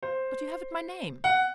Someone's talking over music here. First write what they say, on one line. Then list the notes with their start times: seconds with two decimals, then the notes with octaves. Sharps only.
But you haven't my name.'
0.03 C5
1.24 F#5